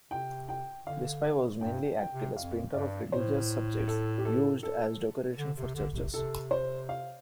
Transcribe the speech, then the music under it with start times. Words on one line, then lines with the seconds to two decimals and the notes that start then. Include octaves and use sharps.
Crespi was mainly active as painter of religious subjects used as decoration for churches.
0.11 C3 G5
0.49 G5
0.87 D3 F5
1.61 G2 G5
1.99 G5
2.12 C3
2.36 F2 F5
2.74 G2 D5
3.12 A2 C5
3.88 A4
4.18 G4
4.25 A4
4.63 A4
5.38 D3
5.58 C3
5.75 D3
5.94 C3
6.13 C3 A4
6.51 C5
6.89 F5